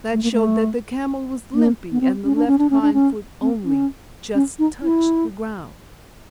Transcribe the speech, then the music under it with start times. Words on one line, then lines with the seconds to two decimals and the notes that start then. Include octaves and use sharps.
That showed that the camel was limping, and the left hind foot only just touched the ground.
0.13 A3
0.23 A#3
0.32 A3
1.54 A#3
1.92 B3
2.01 C4
2.24 C#4
2.35 D4
2.47 C#4
2.59 D4
2.70 C#4
2.82 D4
2.93 C#4
3.41 C4
3.65 C#4
4.35 C#4
4.59 D#4
4.82 E4